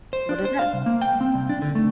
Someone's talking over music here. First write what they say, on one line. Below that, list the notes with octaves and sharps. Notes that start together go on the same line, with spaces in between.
What is it?
C5
D4
C5
F5
C2
A#3
G5
C4
C2
D4
D3
A3